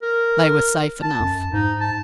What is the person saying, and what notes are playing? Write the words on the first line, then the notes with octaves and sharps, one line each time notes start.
They were safe enough.
A#4
A5
F#2
G#2 D#4
A5